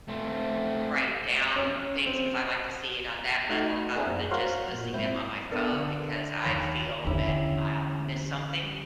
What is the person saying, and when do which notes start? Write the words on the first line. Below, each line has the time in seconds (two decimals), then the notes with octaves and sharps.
write down things 'cause I like to see it on that level other than just listing them on my phone because I feel that I'll miss something
0.08 A3 C4
1.56 C#4
2.06 C4
3.49 A3 D#4 F#4
3.95 A#3 C4 D4 E4 G#4 A#4
4.06 F#2
4.31 F#4 A#4 C5 C#5 F5 F#5
4.69 A#2 F#3
4.93 G#2 C4 E4 G6
5.51 B3 D4 A4 A#4
5.72 D3
6.42 D#2 C#5 B5
7.05 E2 D3 C#4 E4 G4